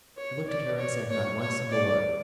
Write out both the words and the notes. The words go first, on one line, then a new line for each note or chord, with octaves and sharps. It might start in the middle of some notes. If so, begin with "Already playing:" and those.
I looked at her and said not one single word.
C#5
D5
C#5
C#5
C#5
D5